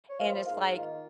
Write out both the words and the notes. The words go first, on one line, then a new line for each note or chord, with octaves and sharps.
and it's, like,
C#5
F3 A#3 F4 F5
D#5
G#2 F5
D#3 A#3 F4